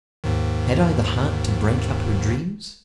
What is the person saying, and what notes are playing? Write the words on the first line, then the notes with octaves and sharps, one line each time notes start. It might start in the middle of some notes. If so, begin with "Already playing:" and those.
Had I the heart to break up her dreams?
D#2 G#2 D#3